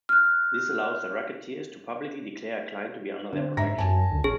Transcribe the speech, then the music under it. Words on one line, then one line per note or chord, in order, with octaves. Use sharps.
This allows the racketeers to publicly declare a client to be under their protection.
F6 F#6
D3 C4
G#2 E5 A#5 A#6
F#2 G#5 A5
D2
A1 C#4 G#4